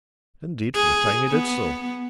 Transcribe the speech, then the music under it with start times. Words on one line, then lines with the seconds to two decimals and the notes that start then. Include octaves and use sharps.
Indeed, for a time, he did so.
0.75 G#4
1.28 B3